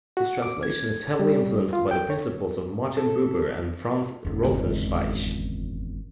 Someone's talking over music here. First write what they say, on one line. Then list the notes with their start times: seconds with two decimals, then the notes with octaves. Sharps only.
His translation is heavily influenced by the principles of Martin Buber and Franz Rosenzweig.
0.17 F#4
0.42 D6
0.63 G#6
1.19 G3
1.73 F4
1.91 G5
2.10 C#5
2.97 A4
4.25 F#1 E2
4.43 G#1 C#2 A#2